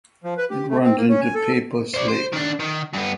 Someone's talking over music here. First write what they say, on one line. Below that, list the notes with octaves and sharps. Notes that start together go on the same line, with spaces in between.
It runs into Peipus Lake.
F3
B4
G4
A3
C4
A#3
C#4
G#5
A4
C5 D5
C5
D#3 D4
D#3
G2 B3